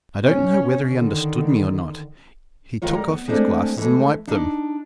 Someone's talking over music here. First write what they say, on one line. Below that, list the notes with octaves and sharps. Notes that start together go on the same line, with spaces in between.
I don't know whether he understood me or not: he took of his glasses and wiped them.
B2 C#4
D3 D#3
D#3 G#3 F4 C#5
G3 A#4
B3
G#3 A3 C4 D4 G#4
E3 G#3 A3
D4 D#4